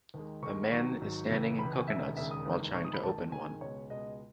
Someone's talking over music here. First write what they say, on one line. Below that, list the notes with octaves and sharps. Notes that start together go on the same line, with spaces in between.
A man is standing in coconuts while trying to open one.
D#2 D#3 G#3
D#2 D#3 G#3 C#6
G#1 G#2 F#3 C#6
G#1 G#2 F#3
C#2 C#3 E3
C#2 C#3 E3 B5
G#5
E1 D#2 C#3 G#3 E5
E1 D#2 C#3 G#3 E5
D#6
F#1 E2 D#3 G#3
F#1 E2 D#3 G#3 C#6
D#6
B5
D#2 D#3 G#3 A5
D#2 D#3 G#3 G#5
C#2 B2 G#3 C#5
C#2 B2 G#3 D#5